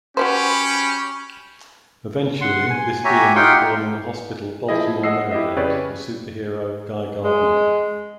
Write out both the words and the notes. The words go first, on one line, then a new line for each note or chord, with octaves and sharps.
Eventually this being was born in a hospital Baltimore, Maryland, the superhero Guy Gardner.
C#4 F#4 G4 B4 C5 B5
F#5 C6
G#5
F#4 G4 C#5 E5 G#5 A#5
D#4 F4 G4 F#5 G5 C6
F3 E4 G#4 D#5
D#5 F#5 E6 C7
E4 G4 D#5 E5
C#3 G4 B4 C#5 D5
G#3